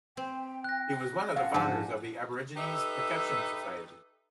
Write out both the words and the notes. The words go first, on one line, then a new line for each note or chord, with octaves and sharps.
He was one of the founders of the Aborigines' Protection Society.
C4 G5
F#6 A#6
C#4 A4 F5 F#5
G#2 F3 D4 G4 G#5 A5
D#4 G4 A4 B4 D#5 E5